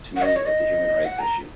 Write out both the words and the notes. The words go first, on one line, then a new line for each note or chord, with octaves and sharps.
To me, it's a human rights issue.
F#5
C#5
D#5
C#5
D#5
F#5
A#5